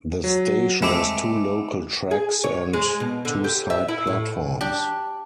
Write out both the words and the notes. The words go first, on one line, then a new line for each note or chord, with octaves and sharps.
The station has two local tracks and two side platforms.
F#3
G#3 A3 C4 B5 D6
G#4
C#5
G#3
B2
D3
G4
E5
E4
A2
D4 G4